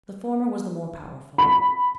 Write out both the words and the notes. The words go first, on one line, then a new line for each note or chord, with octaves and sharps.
The former was the more powerful.
B5